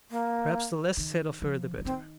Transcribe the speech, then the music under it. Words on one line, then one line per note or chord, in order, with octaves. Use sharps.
Perhaps the less said of her the better.
A#3
D#3
F3
F3
D#3 C4